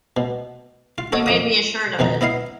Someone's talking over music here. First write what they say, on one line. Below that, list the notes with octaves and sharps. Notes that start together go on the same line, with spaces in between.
You may be assured of it.
B2
F4
F#4 A4 C#5 D#5
F2 D#5 D#6
F2 B2 D#3 D#4
B3 E4 D#5 F5